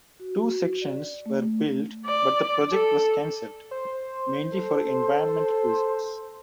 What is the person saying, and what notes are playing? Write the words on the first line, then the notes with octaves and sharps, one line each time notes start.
Two sections were built but the project was cancelled, mainly for environmental reasons.
F#4
D5
A3
D5
A4
C5
A4